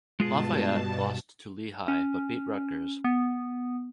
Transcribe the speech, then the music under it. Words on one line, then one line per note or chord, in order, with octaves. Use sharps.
Lafayette lost to Lehigh but beat Rutgers.
G2 B2 G#3 F4 G#4 A5
C#4
B3